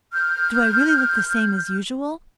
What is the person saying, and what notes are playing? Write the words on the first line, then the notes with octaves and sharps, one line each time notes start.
Do I really look the same as usual?
F6 G6